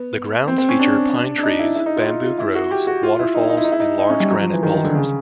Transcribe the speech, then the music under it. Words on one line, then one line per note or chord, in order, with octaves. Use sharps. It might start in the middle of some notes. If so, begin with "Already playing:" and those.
The grounds feature pine trees, bamboo groves, waterfalls and large granite boulders.
Already playing: B3
C4
C4
C#4
D4
D4
D#4
E4
E4
D#4
F4
F4
F4
E4
F#4
G4
F#4
F4
E4
D#4
E4
D#4
E4
D#4
E4
D#4
D#4
C#4
G3
F#3
F3
E3
D#3
D#3
D3
C#3